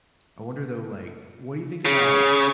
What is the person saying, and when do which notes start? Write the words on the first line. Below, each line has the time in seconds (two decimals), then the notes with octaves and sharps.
I wonder, though, like, what do you think about
1.85 C#3